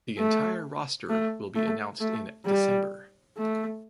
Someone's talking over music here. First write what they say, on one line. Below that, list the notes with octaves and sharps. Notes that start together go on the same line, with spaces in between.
The entire roster will be announced in December.
A3
A3
A3
A3
G3
A3